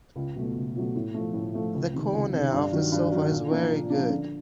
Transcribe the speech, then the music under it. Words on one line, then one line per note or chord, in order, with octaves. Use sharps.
The corner of the sofa is very good.
C#2
B2 F#3 A3
C#2
B2 F#3 A3
A2
F3 A3
A2
F3 A3
C#2
C3 D#3
C#2
C3 D#3
G2
D#3 F#3
G2
D#3 F#3
A#2
F3 A#3 D4
A#2
F3 A#3 D4
D3